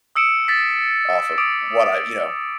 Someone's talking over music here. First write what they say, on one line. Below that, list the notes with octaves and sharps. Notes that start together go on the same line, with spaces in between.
Off of what I you know,
D#6 E6 C#7 D7 E7
A6 B6
D6 D#6 D7